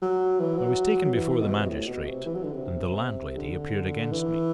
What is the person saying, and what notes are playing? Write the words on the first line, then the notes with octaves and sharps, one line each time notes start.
I was taken before the magistrate and the landlady appeared against me.
F#3
E3
F#3
F#3
E3
B2
C3
B2
A2
B2
C3
E3
F#3
D3
C3
D3
E3